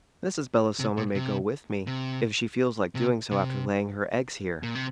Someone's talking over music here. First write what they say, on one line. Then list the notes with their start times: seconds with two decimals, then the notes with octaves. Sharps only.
Mrs. Belostoma may go with me, if she feels like doing so after laying her eggs here.
0.80 C3
0.97 A#2
1.15 C3
1.87 C3
2.95 C3
3.31 C3
4.63 A#2
4.75 C3